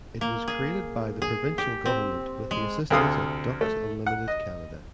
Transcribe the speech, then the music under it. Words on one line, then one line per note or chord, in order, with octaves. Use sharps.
It was created by the provincial government with the assistance of Ducks Unlimited Canada.
A#3
G#4
G#4
G4
C4
G#3
D2 C3 A4 F5 D#6 F6
A3
F#5
D#5